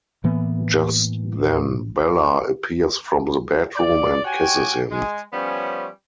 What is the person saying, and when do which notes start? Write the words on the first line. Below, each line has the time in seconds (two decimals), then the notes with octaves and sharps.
Just then, Bella appears from the bedroom and kisses him.
0.24 A2 E3 A#3 B3
3.76 D5
4.25 F#4 G4 C#5 G5 G#5
4.91 G#3 G#5
5.33 F3 G3 B3 C#4